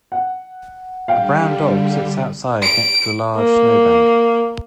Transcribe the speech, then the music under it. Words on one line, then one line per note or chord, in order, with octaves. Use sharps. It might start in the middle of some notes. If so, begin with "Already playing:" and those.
A brown dog sits outside next to a large snowbank.
F#5
D3 G3 F5 G5
D7
A#3